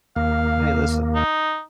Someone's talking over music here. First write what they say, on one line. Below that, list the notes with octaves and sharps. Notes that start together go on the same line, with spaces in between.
Hey listen
D#2 A#3 F5
D#4